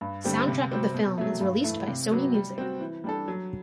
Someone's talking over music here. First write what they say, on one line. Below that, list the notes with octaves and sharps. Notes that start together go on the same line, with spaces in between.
Soundtrack of the film is released by Sony Music.
G2
D3 G3 C4 G4
C3
G3 C4 F#4
B2
F#3 A3
G2
E3 A3
C3
F#3 B3 F#4
G3
C4 F#4
E3
G3 D4 A4
F#3